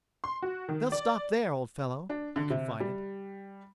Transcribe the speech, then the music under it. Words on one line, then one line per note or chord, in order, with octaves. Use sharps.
"They'll stop there, old fellow," he confided.
C6
F#4
D#3
D5
D4
D3
C3
G3